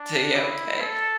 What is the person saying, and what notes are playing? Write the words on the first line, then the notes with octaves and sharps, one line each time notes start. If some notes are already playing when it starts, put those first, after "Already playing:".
Tuh yeah, okay.
Already playing: D4
E4
A4